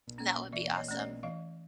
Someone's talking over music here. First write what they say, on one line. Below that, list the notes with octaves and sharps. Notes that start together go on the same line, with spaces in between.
That would be awesome.
A#3 C#4
E3 D5 E5
C#5 D#5
A3 C#4 D5
C#5 D#5
E3 D#5 F5